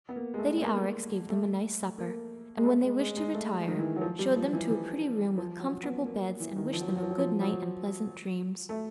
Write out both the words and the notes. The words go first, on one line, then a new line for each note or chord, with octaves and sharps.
Lady Aurex gave them a nice supper and when they wished to retire showed them to a pretty room with comfortable beds and wished them a good night and pleasant dreams.
B3
A#3
G#3
A3
B3
A#3
A3
A#3
G#3
A3
G#3
G#3
G#3
A3
G#3
D#3
E3
F#3
F3
G3
F3
E3
E3
F3
F#3
B3
A#3
E3
D#3
F3
F#3
F3
F#3
F3
F#3
F3
F#3
A3